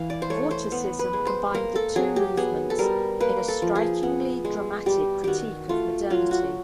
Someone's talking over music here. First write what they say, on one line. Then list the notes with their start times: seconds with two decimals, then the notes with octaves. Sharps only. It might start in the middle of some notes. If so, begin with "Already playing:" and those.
Vorticism combined the two movements in a strikingly dramatic critique of modernity.
Already playing: E3 F5
0.10 D5
0.22 C5
0.30 A3 C#5
0.51 C5
0.72 B3
0.99 B4
1.13 G#3
1.27 C5
1.54 A#3 A#4
1.76 A4
1.96 F#3 G#4
2.16 G4
2.37 B3 G#4
2.70 A4
2.79 G3 A#4
3.20 A#3 B4
3.48 A4
3.62 F3
3.75 G#4
4.03 B3
4.45 G#3
4.86 G3 G4
5.24 D#3 F#4 G4
5.69 A3 F4
6.10 F#3 F4
6.31 F#4